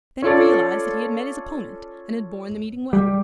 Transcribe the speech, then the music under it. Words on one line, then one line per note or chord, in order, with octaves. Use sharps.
Then he realized that he had met his opponent, and had borne the meeting well.
C#4 F4 A4 D5
G3